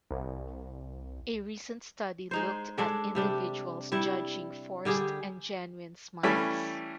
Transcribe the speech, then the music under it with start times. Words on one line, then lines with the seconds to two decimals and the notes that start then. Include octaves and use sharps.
A recent study looked at individuals judging forced and genuine smiles.
0.11 C2
2.31 G#3 D#4 C5
2.78 G#3 D4 A4
3.15 C3 G3 D4
3.92 G3 E4
4.85 D3 G3 G4 G#4
6.23 E3 G3 A3 C#4